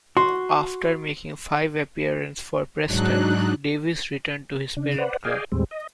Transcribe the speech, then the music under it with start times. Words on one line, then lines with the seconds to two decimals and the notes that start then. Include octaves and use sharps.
After making five appearance for Preston, Davies returned to his parent club.
0.17 F#4 C6
2.86 G#2 F#3 D4 D#4 F#6
4.77 C#3 D4
4.98 B4 C5 D5 F#5
5.25 G#4 D5 D#5 F5 G5 G#5
5.52 D#2 A2 G3 G#3 C4
5.71 D#5